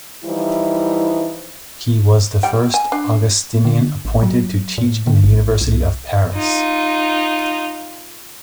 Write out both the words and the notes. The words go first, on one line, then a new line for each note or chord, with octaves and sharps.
He was the first Augustinian appointed to teach in the University of Paris.
E3 F3 G3 D#4 E4
G3 G5
G#5
D4
D3
A1
F#3
A2
D3
A1
C2
D#4 F4